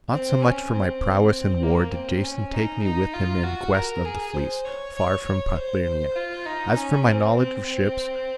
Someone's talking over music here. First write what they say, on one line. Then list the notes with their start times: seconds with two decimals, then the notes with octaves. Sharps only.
Not so much for my prowess in war did Jason take me with him in quest of the fleece, far from Parthenia, as for my knowledge of ships.
0.12 C4
0.43 C#4
0.72 C4
1.63 A#3
1.94 C4
2.24 C#4
2.54 D#4
2.83 D#4
3.14 F4
3.44 F#4
3.74 A#4
4.05 G#4
4.35 C5
4.65 C#5
4.95 C#5
5.25 C#5
5.55 C5
6.16 F4
6.46 D#4
6.76 C#4
7.06 C4
7.36 C4
7.66 C4